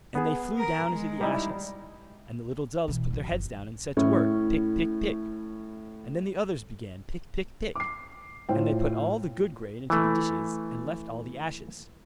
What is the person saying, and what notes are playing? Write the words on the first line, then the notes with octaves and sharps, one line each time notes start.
And they flew down into the ashes; and the little doves put their heads down and set to work, pick, pick, pick; and then the others began pick, pick, pick; and they put all the good grain into the dishes, and left all the ashes.
B3 G#4
A#4
G#3
G3 D#4 E4
B2 E3
A1 F#3
F#1 F2
A2 C#4 E4
D6 C7
A2 F4 C5 G5
E3 A3